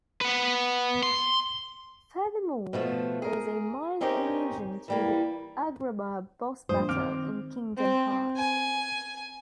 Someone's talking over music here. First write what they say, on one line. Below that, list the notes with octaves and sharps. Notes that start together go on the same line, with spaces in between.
Furthermore, there is a mild allusion to the Agrabah boss battle in "Kingdom Hearts".
B4 F#5
C6
B2 F3 A3
G#4 A#4
C4 C#4 D#4 G4 A#4 C#5
E3 G3 A#3
A#1 G2 C5 D#6
D#3 C4 D6 F6 D7
C4
G#5